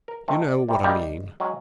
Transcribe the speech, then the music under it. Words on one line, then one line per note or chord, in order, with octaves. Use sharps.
You know what I mean.
A#4
D#3 A3 C4 D#4
D5
C3 G3
C3 G3 G#3 A#3 D#4 G4
F#3 G#3 C#4 G#4